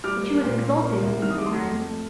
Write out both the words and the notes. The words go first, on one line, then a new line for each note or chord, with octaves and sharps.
But she was exulting in his ignorance.
G3 D6 F6
A#3
A#2
A#2
A#3
C2
D#3 F6
D#6
D6
A3 C6 D#6
F2
A3